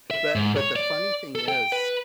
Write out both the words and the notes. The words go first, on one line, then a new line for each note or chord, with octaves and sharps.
but but the funny thing is
E5
G#2
C#5
D5
A4
G5
B4